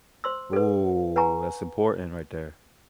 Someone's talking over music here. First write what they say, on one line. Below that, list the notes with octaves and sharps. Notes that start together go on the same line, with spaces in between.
Ooh, that's important right there.
C5 C6 E6
A4 B4
B4 F#5 G#5 A#5 C#6